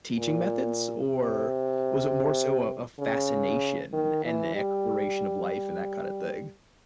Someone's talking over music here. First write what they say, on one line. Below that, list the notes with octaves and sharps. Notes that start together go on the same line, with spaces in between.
teaching methods, or, was it more so a a fascination, and exploration of life and that kind of thing?
A#2
C3
C#3
D#3
E3
G3